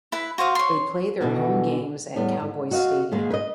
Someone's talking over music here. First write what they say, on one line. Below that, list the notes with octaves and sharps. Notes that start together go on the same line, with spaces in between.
They play their home games at Cowboy Stadium.
E4 B4
F#4 C5 F5 D#6
C#5 C6
B2 D3 E3 B3 D#4 F#4
E2 A2 G3 B3
G#2
F#4 D#5 F5
G#2 D#3 G#3 A#3
B4 D#5